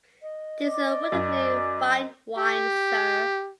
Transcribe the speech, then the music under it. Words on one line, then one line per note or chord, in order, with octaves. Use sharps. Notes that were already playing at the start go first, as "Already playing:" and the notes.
This is wonderfully fine wine, sir!
D#5
D5
F#2
G4